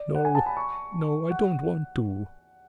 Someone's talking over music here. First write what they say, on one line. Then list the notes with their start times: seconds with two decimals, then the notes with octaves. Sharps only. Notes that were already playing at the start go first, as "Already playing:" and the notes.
"No! no! I don't want to!"
Already playing: D5
0.15 F#5
0.25 G#5
0.35 A5
0.46 B5
0.57 C#6
1.31 F#5